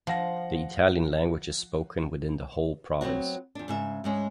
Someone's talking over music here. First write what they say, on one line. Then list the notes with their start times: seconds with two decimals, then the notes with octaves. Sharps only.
The Italian language is spoken within the whole province.
0.07 F3 F5 F#5 A#6
3.01 F#3 B3 C4 F#4
3.55 E2 D4
3.68 G#2 C#3 E5
4.04 G#2 G#3 C#4